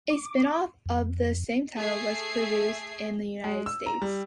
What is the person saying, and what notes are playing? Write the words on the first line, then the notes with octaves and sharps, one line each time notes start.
A spinoff of the same title was produced in the United States.
D6
F2
A3 G#4 E5 G#6 C7
G#3
E6
A#5
G3